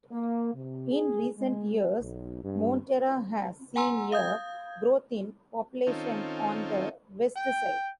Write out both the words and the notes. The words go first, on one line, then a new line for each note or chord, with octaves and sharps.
In recent years, Monteria has seen a growth in population on the west side.
A#3
C3
G#4
G#3
B1
G2
F#5 G#5 A#5 C6 E6
F5 D#6 G6 G#6
D#3 C4 C#4 D#4 F4 A4
G5